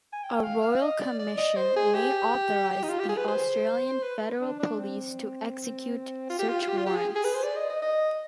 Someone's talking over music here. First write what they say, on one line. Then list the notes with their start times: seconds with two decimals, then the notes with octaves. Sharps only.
A Royal Commission may authorise the Australian Federal Police to execute search warrants.
0.13 G#5
0.23 G5
0.43 F5
0.62 F5
0.81 D#5
1.00 D5
1.19 D5
1.38 D#5
1.56 C5
1.76 G#4
1.94 G4
2.83 D#4
2.89 F4
2.99 G4
3.09 G#4
3.17 B4
3.28 C5
4.02 B4
4.41 D4
4.60 D4
4.78 C4
6.30 F4
6.39 G4
6.48 F4
6.62 F4
6.68 G4
6.77 F4
6.86 G4
6.96 G#4
7.15 G#4
7.24 B4
7.35 C5
7.43 D5
7.56 D#5
7.69 D#5
7.82 D#5